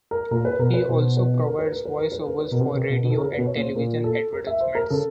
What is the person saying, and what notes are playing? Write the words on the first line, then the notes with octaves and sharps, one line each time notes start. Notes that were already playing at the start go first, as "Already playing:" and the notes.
He also provides voice-overs for radio and television advertisements.
A#4
A#2 A#4
B4
B2 A#4
B4
B2 C5
B4
A#4
B4
A#4
B4
A#4
B4
A#4
B4
B2 A#4
C3
B4
C3
A#4
B2
B2
A4
C#3 A#4
B2 B4
C#5
A#2
C5
A#2 A#4
A4
A#4
E5
C5
A#4
C#3 A4